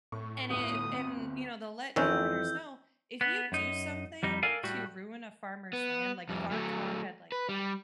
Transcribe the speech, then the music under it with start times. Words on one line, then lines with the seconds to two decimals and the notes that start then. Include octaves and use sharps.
and if and, you know, they'll let foreigners know, "If you do something to ruin a farmer's land" like, if our car had, like,
0.12 A2 C#6
0.50 G1 D2 D#6
0.92 C4
1.96 F2 D#3 E3 C4 C#4 E6 G6
3.21 B3
3.52 F#2 D#4
4.23 F2 G3 D#4
4.43 A4 A#4 D5 F5 G#5
4.63 A2 G3 F#4
5.73 B3
6.29 F2 G3
6.51 F#3 A3
7.32 B4
7.49 G3